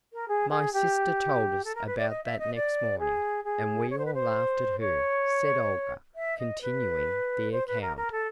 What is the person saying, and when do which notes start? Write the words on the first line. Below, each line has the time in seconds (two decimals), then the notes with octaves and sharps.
"My sister told us about that next morning, and we all laughed at her," said Olga, continuing the account.
0.13 A#4
0.28 G#4
0.50 G#4
0.72 G4
1.64 A4
1.74 A#4
1.86 B4
1.97 D5
2.09 D#5
2.23 E5
2.38 D#5
2.54 D5
2.98 G#4
3.44 G#4
3.89 C#5
3.97 C5
4.05 B4
4.13 C5
4.79 C#5
6.15 E5
6.38 D#5
6.61 B4
7.51 C5
7.66 B4
7.81 A#4
7.96 A#4
8.11 A4